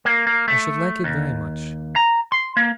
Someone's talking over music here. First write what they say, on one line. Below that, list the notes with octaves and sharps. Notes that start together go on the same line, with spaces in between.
'I should like it very much.
A#3
A#3
A3
D#2
A#5
C6
A#3